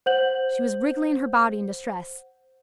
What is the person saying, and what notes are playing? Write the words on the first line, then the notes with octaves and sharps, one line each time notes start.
She was wriggling her body in distress.
C5 F#5 G6 F#7